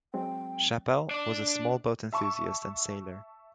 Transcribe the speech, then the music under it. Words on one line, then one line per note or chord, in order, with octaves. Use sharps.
Chapelle was a small-boat enthusiast and sailor.
F#3 G#3 C4 G5
D4 D5
E5 A5 C#6